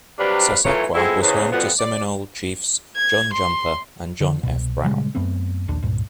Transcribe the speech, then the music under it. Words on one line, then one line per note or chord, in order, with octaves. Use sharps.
Sasakwa was home to Seminole Chiefs John Jumper and John F. Brown.
C3 F#3 G3 D4 B4 F5
E3 F#3 A3 A#3 F4 C#5
G#3 B3 C4 E4 F4 A4
E2 G#2 C#3
F2 B2 F3 G3 B3 F#5
D5
G#6
C6
D3
C2 B2
A#2 C#3 G3 G#3
F#2 A3 B3 C4
A#1 D#2 D4
C#2 G2 A#2